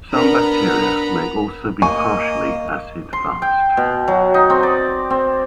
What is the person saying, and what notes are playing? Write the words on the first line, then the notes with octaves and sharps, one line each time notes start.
Some bacteria may also be partially acid-fast.
B3 D4 A#4 A#5 B5
A#3 D#5 G#5 C#6
C6
G5
B2
F#3
D#4
C4
D5
C4